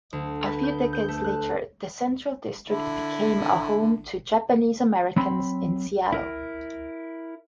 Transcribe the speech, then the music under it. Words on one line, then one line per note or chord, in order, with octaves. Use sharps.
A few decades later, the Central District became a home to Japanese-Americans in Seattle.
D2
B4
G6
G6
A3
F#6
D3 E4
F#3 C4 B5 C6
E4 A#4